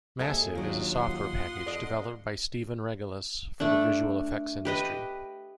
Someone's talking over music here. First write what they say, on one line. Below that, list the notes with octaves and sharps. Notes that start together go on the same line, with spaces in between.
"Massive" is a software package developed by Stephen Regelous for the visual effects industry.
D#2 G#4 A4 D#5 E5
D#3 F#3 D4 F4 D#5
F#5 C6 D#6
F2 D5 D#5
A3 D4
G4 B4 D#5